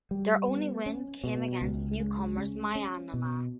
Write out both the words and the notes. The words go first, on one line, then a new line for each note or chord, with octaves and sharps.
Their only win came against newcomers Myanmar.
G3
B3
C#4
B2
C#2
G#3
C#4
C#4
B2